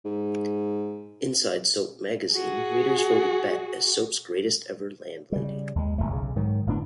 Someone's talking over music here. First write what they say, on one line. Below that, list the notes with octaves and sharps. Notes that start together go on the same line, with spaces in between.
Inside Soap magazine readers voted Bet as soaps 'Greatest ever Landlady.
G#2
F#4 G#4
C#3 G3
D#2 G#3
D#1 F2 A3
B1 C#3
G#2 D#3 F#3
G1 A2 B3 D4